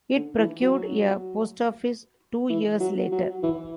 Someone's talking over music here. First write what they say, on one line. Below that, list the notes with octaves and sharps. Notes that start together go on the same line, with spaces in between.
It procured a post office two years later.
D3
E3
F#3
E3
F#3
F#3
E3